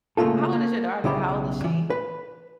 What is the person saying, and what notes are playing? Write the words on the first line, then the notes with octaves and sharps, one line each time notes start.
How old is your daughter? How old is she?
C#3 A3 A#3 F4 A4
A#3
B1 C#3 E4 G4 B5
E3
B4